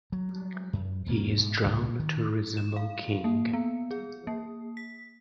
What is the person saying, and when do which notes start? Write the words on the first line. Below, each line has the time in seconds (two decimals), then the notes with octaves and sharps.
He is drawn to resemble King.
0.12 F#3
0.73 F#2
1.06 E1 F2 A#3 C#4
1.38 G#2 B2
1.65 C#2 A2 F3 G#3
2.00 D#3
2.57 E7
2.76 F5
3.24 A#3
3.53 B3
3.91 G#4
4.27 A#3
4.77 B6